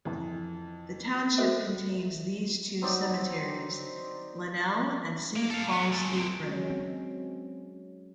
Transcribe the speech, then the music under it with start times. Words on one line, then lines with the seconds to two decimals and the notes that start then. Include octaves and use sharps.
The township contains these two cemeteries: Linnel and Saint Paul's Lutheran.
0.05 F2 E3
1.38 F#4 A4 A#4 C5 D#5 E5
2.82 F#3 C4 D#4 D5
5.36 A#3
5.50 A4 F5
5.72 F#3 B3
5.92 G#3 A4
6.13 F#3 C4
6.48 F#3 G#3 C#4
6.70 C4